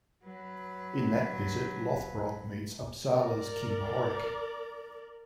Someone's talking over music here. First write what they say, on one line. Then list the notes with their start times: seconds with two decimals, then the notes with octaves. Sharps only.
In that visit Lothbrok meets Uppsala's King Horik.
0.25 F#3 B4
3.12 A#4 D5